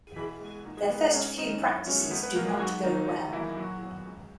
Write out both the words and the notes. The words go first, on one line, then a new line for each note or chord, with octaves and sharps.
Their first few practices do not go well.
B2 E3 E4
G#3 B3
A#2 D#4
G#3 G#4
A#3 B3 B4
B3 B4
G#2 C#4 C#5
D#3 G#3 D#4 D#5
F#2 E4 E5
E3 G#3 B3 C#4 C#5
C#2 B3 B4
B3 B4
B2 G#3 A#3 B3 A#4
G#3 G#4
G#2 F#3 F#4
D#3 A#3 D#4
E2 D#4
D#3 E3 F#3 A#3 E4
A#2 F#3 F#4
F#3 B3
C#2